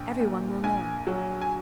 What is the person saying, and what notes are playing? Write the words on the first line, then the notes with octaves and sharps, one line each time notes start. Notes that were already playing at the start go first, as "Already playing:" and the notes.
Every one will know.
Already playing: A#1 G5
A#2
A#1 G#5
F#3
G#5